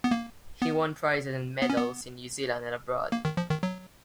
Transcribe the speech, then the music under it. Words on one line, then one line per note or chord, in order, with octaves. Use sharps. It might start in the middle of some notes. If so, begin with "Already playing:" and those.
He won prizes and medals in New Zealand and abroad.
B3
A#3
B3
B3
C#4
B3
A#3
D#3
F3
D#3
F#3